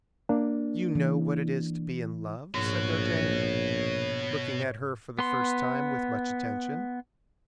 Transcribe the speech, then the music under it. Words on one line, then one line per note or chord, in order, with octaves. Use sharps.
"You know what it is to be in love?" said d'Artagnan, looking at her for the first time with much attention.
A#3 D4
E3
A#1 G#2 B2 F#4 C#5
B3 C6